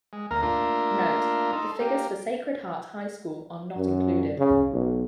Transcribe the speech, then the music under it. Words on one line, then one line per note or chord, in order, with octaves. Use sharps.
Note: The figures for Sacred Heart High School are not included.
G#3
D2 A#3 A#4 A#5 F6
A3 A#3 D4 F4 A#4
D#4 A4 C6
A#3 G4
F#2
C#3
B1